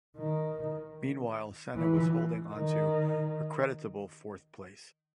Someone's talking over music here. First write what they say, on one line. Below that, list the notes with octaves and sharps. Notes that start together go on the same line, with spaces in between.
Meanwhile, Senna was holding onto a creditable fourth place.
D#3
E3
D#3